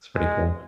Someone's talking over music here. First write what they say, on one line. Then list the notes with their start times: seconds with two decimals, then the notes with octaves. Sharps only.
It's pretty cool.
0.16 G#3